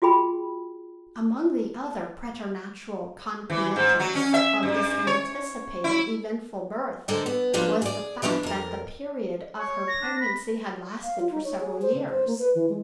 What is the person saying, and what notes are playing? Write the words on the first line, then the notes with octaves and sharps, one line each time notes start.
Among the other preternatural concomitants of this anticipated eventful birth, was the fact that the period of her pregnancy had lasted for several years.
F4 F#4 G#4 G5 B5
E3
G#2
F#3
C#4
E5
G2
C#5
E4
D3 G#3 A4 A#4 C5 D5
B3
F3 A#3 D4 F4 B4
G#4 D5
E3 F3 B3 D4 D5
F2 A#4
C#5
A#6
D4
B5
F5
F4
D#4
C#5
G#4
C5
C#3
C5
A#3
B4
E3
G#3